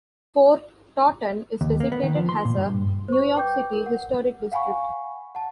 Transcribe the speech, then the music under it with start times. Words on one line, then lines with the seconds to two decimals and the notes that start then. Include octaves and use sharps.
Fort Totten is designated as a New York City Historic District.
1.61 D#2
1.80 A#3
1.92 B3
2.03 D#3
2.16 F3
2.29 C6
2.45 A#2
2.57 G2
3.08 C5 C#6
3.36 B4 G5 D6 G6
3.73 A#4
3.86 F#5
4.52 F5 F#5 G#5 B5 C#6
5.35 F#5 A5